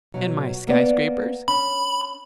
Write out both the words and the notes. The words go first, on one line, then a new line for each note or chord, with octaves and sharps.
"And my sky-scrapers?"
B2 F#3
A#3 B3 D5
C#4 B5